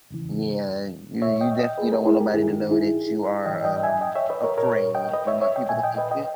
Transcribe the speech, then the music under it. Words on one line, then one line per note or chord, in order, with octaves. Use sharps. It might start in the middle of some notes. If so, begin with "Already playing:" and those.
Yeah, you you definitely don't want nobody to know that you are, um, afraid. You want people to think you're
E2 C#3 E3
A#2 C#5 E5
D#5 G5
D#5 G5
G#4 B4
G4 A#4
E4 G#4
G4 A#4
G2 D#3 E4 G#4
D#4 G4
E4 G#4
G#2 E3 D#5 G5
D#5 G5
E5 G#5
D#5 G5
C#5 E5
B4 D#5
A#4 C#5
A#2 A#4 C#5
A#4 C#5
D#5 G5
B4 D#5
C#5 E5
C#5 E5
D#5 G5
A#2 E5 G#5
D#5 G5
B4 D#5
D#5 G5